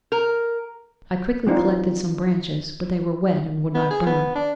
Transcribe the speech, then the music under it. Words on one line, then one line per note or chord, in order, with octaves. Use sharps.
I quickly collected some branches, but they were wet and would not burn.
A#4
E3 C4 D4 D#4 F4
B3
G#4
B3
D4